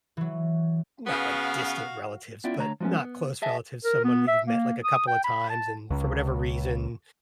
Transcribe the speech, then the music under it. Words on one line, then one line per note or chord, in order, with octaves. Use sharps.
not, like, distant relatives, but not close relatives someone that you've met, like, a couple of times, and for whatever reason,
E3 F#3
C#3 B3 F#4 F5
B3 C#4 E4 F4 D5 G5
D3 A3 C#5 A#5
F3 F#3 G#3 B3 C#4
B3
G#4 D#5 E5 G#5 A5
A#4
B3
E5
A#3
D#6
G5
B5
A5
C#2